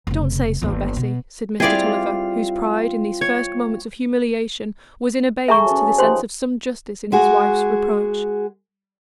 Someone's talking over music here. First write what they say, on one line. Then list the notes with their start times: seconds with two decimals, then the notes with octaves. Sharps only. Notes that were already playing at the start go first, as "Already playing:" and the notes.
"Don't say so, Bessy," said Mr. Tulliver, whose pride, in these first moments of humiliation, was in abeyance to the sense of some justice in his wife's reproach.
0.07 F1 C#3
0.62 G1 D#2
0.96 B2
1.60 G3 C4 E4 F4 G#4 D5 F5
3.21 C#5
5.48 G#4 A4 E5 A#5 C#6
5.65 F#3 B3 C#4
5.98 F3 D#4 G4 C5 C6
7.12 G#3 F#4 G#4